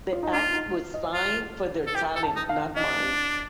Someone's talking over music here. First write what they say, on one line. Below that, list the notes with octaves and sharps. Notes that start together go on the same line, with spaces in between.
The act was signed for their talent not mine.
F4
D#4
D4 F4
D#4
F4
D#5
F4
A4
G4 G5
A4
A5
D#4
F5
D4 D#5